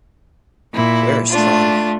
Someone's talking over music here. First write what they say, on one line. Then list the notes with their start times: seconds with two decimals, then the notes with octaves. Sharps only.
Where is Tron?
0.75 A#2 E4
1.30 A3 D4 F4